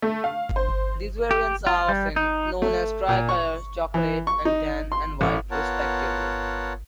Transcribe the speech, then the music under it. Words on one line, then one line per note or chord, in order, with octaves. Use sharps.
These variants are often known as 'Tri-Color', 'Chocolate', and 'Tan and White', respectively.
A3
F5
C5
G4
F4
G3
D#4
A3
A#2
C#6
E3
C#6
D#4
C6
A1
B3 F4 A#4 C#5 F#5 A5